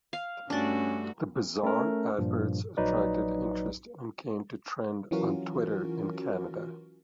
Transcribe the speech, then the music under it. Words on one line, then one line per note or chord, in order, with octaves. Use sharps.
The "bizarre" adverts attracted interest and came to trend on Twitter in Canada.
F5
G2 A3 C#4 D4 F#4 D5
A3 C#4 A#4
G2 A#2 F3
A#1 F#3 D#4 B4 D5
E3 F#3 C#4 F4 F#4 A#4